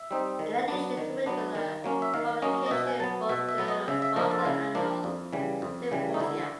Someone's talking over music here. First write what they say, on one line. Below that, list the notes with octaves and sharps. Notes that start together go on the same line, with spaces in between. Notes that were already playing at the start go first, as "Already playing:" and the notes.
In addition to regular publication, both journals sponsor annual symposia.
Already playing: E5
G3 C4 D#4
D#3
F#3 B3 D4
D#3
F#3 B3 D4
D#3
F#3 A#3 C#4
E5
D#3 F5
F#3 A#3 C#4 D#5
D#5
B2 E5
G#5
F#3 B3 A5
B2 E5
E5
F#3 B3
D#5
C#3 E5
E5
F3 A#3 D4 D#5
A4
F4
C#3 E4
F3 A#3 D4
F2
C#3 E3 G3
F2
C#3 E3 G3
D#4
D3 E4